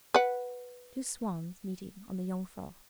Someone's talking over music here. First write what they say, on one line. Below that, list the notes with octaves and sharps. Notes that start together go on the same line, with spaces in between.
Two swans meeting on the Jungfrau.
B4 F#5